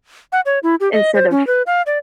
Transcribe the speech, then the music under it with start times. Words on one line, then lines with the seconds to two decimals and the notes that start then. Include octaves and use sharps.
instead of
0.32 F#5
0.46 C#5
0.63 E4
0.80 G4
0.93 D#5
1.15 C5
1.31 C#4
1.47 B4
1.67 F5
1.86 D5